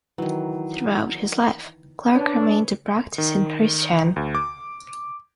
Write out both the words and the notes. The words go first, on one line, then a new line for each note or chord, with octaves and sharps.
Throughout his life, Clark remained a practicing Christian.
D#3 E3 F#3
C#4 D4 B4 C#5
D#3
D2
D6